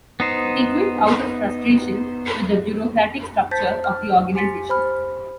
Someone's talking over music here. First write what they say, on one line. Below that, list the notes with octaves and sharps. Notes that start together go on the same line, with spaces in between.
He quit out of frustration with the bureaucratic structure of the organization.
B3 D#4 C5
C5 A5 G6 A6 B6
F6
G4 G#5 C6 A6 B6 C#7
C5 B5 F6